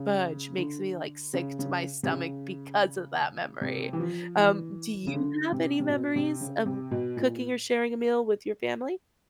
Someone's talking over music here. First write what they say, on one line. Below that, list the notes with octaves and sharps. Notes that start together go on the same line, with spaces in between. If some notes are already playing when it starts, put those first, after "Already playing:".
"fudge" makes me, like, sick to my stomach because of that memory. Um, do you have any memories of cooking or sharing a meal with your family?
Already playing: C#3
D3
C#3
C#3
C3
C#3
C3
E3
F3
E3
C#3
D3
C3
C3
B2
C3
C#3
C3
B2
A#2